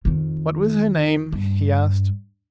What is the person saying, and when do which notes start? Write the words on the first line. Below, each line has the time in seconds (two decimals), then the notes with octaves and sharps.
"What was her name?" he asked.
0.05 F2 D#3
1.32 G2